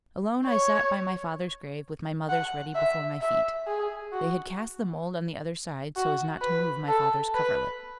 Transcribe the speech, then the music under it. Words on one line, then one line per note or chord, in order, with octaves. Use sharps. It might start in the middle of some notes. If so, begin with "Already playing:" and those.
Alone I sat by my father's grave, with my mother's ready before my feet. They had cast the mould on the other side, so as not to move my father's coverlet.
C#5
F#5
E5
E5
G#4
F#4
F#4
B4
A4
B4